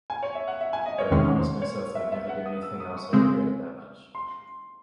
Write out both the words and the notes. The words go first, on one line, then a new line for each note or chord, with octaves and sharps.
But I promised myself I'd never do anything else I regretted that much.
G#5
C#5
E5
F#5
E5
G#5
D#5
C#5
E2 C3 D#3 G#3 C#4 C#5
C5
C#5
E5
E5
F#5
D#6
E6
D#6
C#6
C#3 G#3 C4
C6